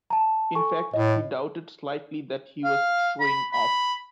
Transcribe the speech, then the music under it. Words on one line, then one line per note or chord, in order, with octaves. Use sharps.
In fact, he doubted slightly that he was showing off.
A5 A#5
A4 G#5 C#6
A2 C#5 D#5
F5
B5
B5